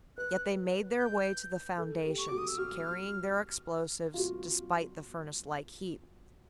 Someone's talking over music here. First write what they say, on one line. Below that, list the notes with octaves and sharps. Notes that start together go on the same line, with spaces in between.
Yet they made their way to the foundations, carrying their explosives, despite the furnace-like heat.
B4 F#6
G6
A4
G4
C#6
F#4 D6
D#6
E6
F#4 F6
F4
F#4